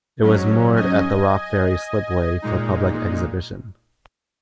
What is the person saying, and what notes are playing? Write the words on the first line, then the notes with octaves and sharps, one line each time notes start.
It was moored at the Rock Ferry slipway for public exhibition.
G#2 F#3 C#4
D#5 G#5
A#2 G#3 D#4